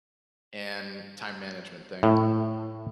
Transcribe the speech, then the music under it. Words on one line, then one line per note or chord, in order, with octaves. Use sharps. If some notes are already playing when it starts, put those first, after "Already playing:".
and time management thing,
A2